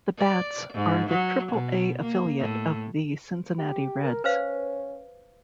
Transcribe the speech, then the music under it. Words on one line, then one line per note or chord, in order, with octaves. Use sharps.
The Bats are the Triple-A affiliate of the Cincinnati Reds.
D5
G#2
F#3
B2
A#3
A2
G4
A#4
C#4 B4 C5 F5